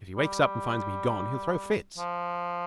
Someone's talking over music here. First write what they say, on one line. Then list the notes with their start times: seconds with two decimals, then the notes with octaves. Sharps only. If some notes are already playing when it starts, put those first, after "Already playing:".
If he wakes up and finds me gone he'll throw fits.
0.17 G3
1.98 F3